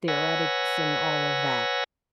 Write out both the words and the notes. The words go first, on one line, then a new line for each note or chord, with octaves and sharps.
theoretics and all of that.
B4 C#5 F#5 G#5 E6 A#6